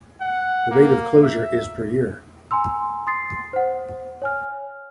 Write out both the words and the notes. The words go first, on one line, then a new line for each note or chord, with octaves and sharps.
The rate of closure is per year.
F#5
A#3
E5
G#5 A#5 C6 E6
C6 D#6 A6 C7
C5 F#5
C#5 G#5 F6